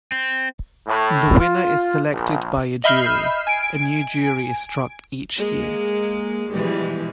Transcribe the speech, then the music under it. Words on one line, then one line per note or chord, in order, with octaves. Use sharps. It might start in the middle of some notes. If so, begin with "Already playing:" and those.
The winner is selected by a jury; a new jury is struck each year.
C4
A2
F4
A#1
D#5 E5 B5 F6 G6 C7
G#5 D7
G#3 A#3
B2 E3 F3 G3 G#3